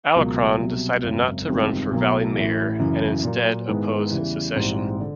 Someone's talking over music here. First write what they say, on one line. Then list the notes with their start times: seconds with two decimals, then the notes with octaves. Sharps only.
Alarcon decided not to run for Valley mayor, and instead opposed secession.
0.16 C#2 B2 F#3 A#3
0.60 C2 B2 F#3
1.04 G#1 F#2 C#3
1.48 G1 F2 C3 D#3 G#3
1.91 B1 B2 F#3 A#3
2.35 A1 A2 E3
2.79 F#2 C#3 E3
3.23 A#2 F#3 A#3
3.68 G#2 D#3 G#3 B3 E4
4.11 E2 C#3 E3 G3
4.56 A#1 G#2 E3 G3 C4
5.00 D3